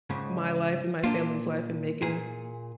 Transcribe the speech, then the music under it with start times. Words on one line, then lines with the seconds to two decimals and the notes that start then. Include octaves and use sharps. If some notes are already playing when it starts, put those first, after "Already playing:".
my life and my family's life, and making
0.10 C#2 G#2 C#3
1.04 A#2 A#3 D4 F4
2.02 A#2 G#4